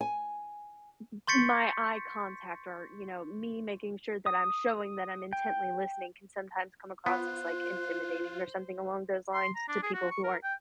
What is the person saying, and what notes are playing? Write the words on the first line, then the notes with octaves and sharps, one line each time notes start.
m m my eye contact or, you know, me making sure that I'm showing that I'm intently listening can sometimes come across as, like, intimidating or something along those lines to people who aren't
G#5
C6 C#6 G6 A6 B6 C#7
D#6
G5
B3 F4 C5 F#6
C6
A#5
D4
G#4
F#4
C#6
A#4
G5